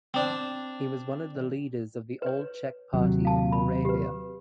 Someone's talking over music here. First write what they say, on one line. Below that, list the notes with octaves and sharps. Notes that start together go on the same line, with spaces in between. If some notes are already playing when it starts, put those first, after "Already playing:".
He was one of the leaders of the Old Czech Party in Moravia.
C4 D4
B4 C#5
D#2 C3 F#3
F5 A5
B5
G4 B4